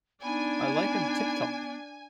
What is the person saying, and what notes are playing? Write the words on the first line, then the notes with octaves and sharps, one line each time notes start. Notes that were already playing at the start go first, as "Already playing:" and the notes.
I like 'em tip-top.
B3 D4 D#4 G#5 B5